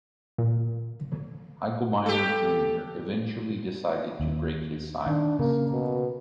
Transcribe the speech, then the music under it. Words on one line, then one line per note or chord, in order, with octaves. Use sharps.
Hilgemeier Junior eventually decided to break his silence.
A#2
G4 A4
D#2
D#3 D4
C#3 A#3
B2